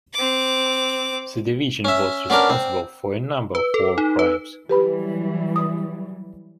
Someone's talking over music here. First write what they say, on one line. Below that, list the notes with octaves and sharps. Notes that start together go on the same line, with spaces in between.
The division was responsible for a number of war crimes.
C4 D6
C#4 E5
B3 C#4 D4 A#4
C4
B4
A4
D#4
B4
E3 F#3 G3 G4 B4 B5
D#6